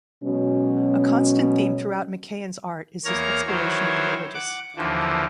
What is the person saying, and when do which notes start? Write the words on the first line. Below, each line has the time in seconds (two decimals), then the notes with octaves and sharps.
A constant theme throughout McCahon's art is his exploration of the religious.
0.24 B2 F#3 G#3 C#4
3.05 E2 A#3 C#5 A#5 F6
3.47 D#3 E3 F#3 C5 C#5
4.34 F#5 D6
4.76 D#2 D3 E3 F3